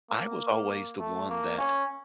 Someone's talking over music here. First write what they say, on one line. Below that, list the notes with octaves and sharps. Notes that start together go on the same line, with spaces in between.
I was always the one that
A#3
A3
A#3
C#4